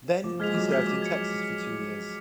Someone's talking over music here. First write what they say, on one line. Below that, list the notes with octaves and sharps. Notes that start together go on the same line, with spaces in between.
Then he served in Texas for two years.
F3 D6
G#3 F6 G#6 B6 F7
F#3 D6
G#3 F6 G#6 B6 F7
D6
G#6 C#7